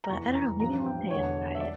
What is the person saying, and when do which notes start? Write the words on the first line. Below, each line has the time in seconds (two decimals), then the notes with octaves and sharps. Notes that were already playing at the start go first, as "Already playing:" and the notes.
but I don't know, maybe one day I'll try it.
0.04 A#5
0.09 F1 E2 E3 C#6
0.35 A#5
0.60 A1 G2 F3 A#5
0.86 G5
1.11 E1 E2 D3 C#5
1.55 E5
1.61 D5